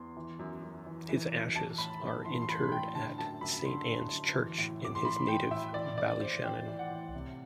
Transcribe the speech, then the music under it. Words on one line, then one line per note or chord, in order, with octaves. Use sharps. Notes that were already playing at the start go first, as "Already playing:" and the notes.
His ashes are interred at Saint Anne's church in his native Ballyshannon.
Already playing: E2 C6
E3
F#2
F#2
E3
E3
F#2
E3 A5
A2 B5
A2
E3 C6
C6
E3 B5
A2 G5
D3 A5
F#2 A5
F#2 B5
D3 C6
D3
F#2
E3
A2
A2 D6
C6
E3 B5
E3 G5
A2 E5
E3 D5
A2 D5
A2 C5
E3 G5
E3
F#5
A2
C3